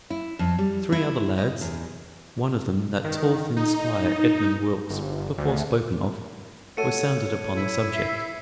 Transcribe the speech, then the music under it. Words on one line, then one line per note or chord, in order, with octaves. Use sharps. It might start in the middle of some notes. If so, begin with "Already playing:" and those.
Three other lads--one of them that tall thin squire Edmund Wilkes, before spoken of--were sounded upon the subject.
E4
F2
G3
E4
D#5
E2
D#3
D#4
G1
D2
A3 F#4 A4 C#5 C#7 D#7
E4
E5 B6 C7